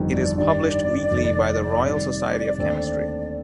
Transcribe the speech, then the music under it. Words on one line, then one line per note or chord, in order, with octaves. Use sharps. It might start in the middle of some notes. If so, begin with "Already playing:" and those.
It is published weekly by the Royal Society of Chemistry.
Already playing: G1 F2 D#3 G3
D5
G2 D#3 G3 D5
F1 F2 D#3 A3
C3 D#3 G3 D5
D#2 D3 A3 C4